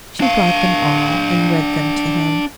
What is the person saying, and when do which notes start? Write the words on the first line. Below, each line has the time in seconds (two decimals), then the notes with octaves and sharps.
She brought them all, and read them to him.
0.20 D4 F5